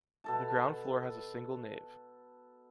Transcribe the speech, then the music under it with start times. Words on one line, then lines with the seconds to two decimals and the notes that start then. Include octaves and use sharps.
The ground floor has a single nave.
0.24 B2 A4 A5